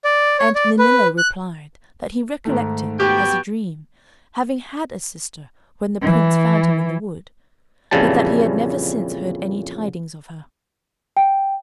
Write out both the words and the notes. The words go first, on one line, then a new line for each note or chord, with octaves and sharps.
And Nennillo replied, that he recollected, as a dream, having had a sister when the Prince found him in the wood, but that he had never since heard any tidings of her.
D5
C#5
D5
B4
F#6
G#2 D#3 A3
B3 F#4 G4 G5
E3
F2 A#2 C#3 E3 G3 A5
G5